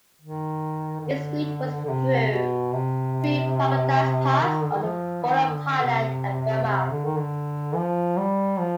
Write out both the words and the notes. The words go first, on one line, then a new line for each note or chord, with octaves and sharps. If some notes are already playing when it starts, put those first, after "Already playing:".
Its route was through Three Pagodas Pass on the border of Thailand and Burma.
D#3
D#3
D3
D3
C3
B2
C3
D#3
D3
D#3
F3
D#3
D3
C3
D3
D#3
D3
F3
G3
F3